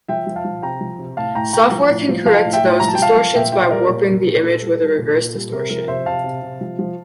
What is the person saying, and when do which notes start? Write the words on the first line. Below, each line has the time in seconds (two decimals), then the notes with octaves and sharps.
Software can correct those distortions by warping the image with a reverse distortion.
0.08 F3 E5 G5
0.27 F3
0.36 F5 A5
0.45 F3
0.62 C3 G5 A#5
0.81 F3
0.99 C3
1.17 A2 F5 A5
1.35 A2 G5 A#5
1.53 A2 G5 A#5
1.71 F3
1.90 A2
2.09 F3
2.25 F3 F5 A5
2.44 A2
2.53 E5 G5
2.63 A2
2.80 F3 A#5
2.88 A5
2.95 G5
2.99 F3 F5 A5
3.16 F3
3.34 A#2 E5 G5
3.52 A#2 E5 G5
3.71 G3 A#4 D5
3.90 A#2 A#4
4.07 A#2
4.26 A#2
4.43 A#2 A4
4.61 G3
4.80 G3
4.98 A#2
5.16 A#2
5.34 G3
5.52 C3 A#4
5.70 F3 A#4
5.88 C3 C5 E5
6.06 C3 F5 A5
6.24 C3
6.42 C3
6.61 F3
6.79 F3